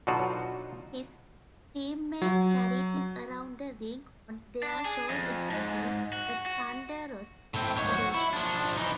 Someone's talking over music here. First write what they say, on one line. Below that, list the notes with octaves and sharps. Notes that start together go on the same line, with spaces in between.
His teammates carried him around the rink on their shoulders to a thunderous ovation.
B2 D3 F#3 D#4 F4 F#4
F#3
D4
G#4
F2
G#2
F#4
F#4
A2 C4
G#2 C#5
F#4
E4
F3 D4
E3 D#4